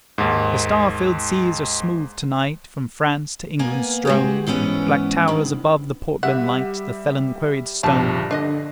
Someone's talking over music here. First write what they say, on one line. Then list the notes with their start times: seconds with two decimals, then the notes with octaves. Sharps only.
The star-filled seas are smooth to-night From France to England strown; Black towers above the Portland light The felon-quarried stone.
0.18 D#2 G#2
3.59 A#3 B3 G#5
4.05 G#3 F#4 G4
4.46 G#2 E3 B3 C#4
5.28 G2 D#3
6.23 G3 G4 E5 F#5
7.83 A#1 G2 G3 A5 D6
8.31 D3 D4 D#5 A#6